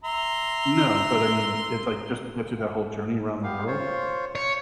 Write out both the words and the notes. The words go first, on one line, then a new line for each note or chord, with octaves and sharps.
No, but I mean, it's, like, just to get through that whole journey around the world.
E5 A#5 C6
B3 G4 F5
F4 C5 C#5
C#5